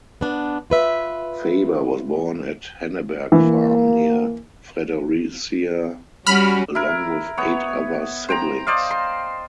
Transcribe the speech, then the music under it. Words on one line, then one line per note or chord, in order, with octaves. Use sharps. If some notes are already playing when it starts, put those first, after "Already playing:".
Faber was born at Henneberg Farm near Fredericia along with eight other siblings.
B3 D4
F4 B4 E5
E3 A#3
G3 C#4 F#4 B5 F6
E4 A#4
B3 C#5
C5 G5 A#5
C5 D5 D#5 F5
C6